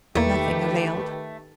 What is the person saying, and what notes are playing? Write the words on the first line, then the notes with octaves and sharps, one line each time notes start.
Nothing availed.
E2 D#3 A3 A#3 G4 B4